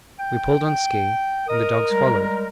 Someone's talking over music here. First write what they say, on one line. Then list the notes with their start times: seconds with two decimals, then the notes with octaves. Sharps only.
We pulled on ski and the dogs followed.
0.19 G5
1.48 A#4 D#5 D#6
1.90 G3 G#3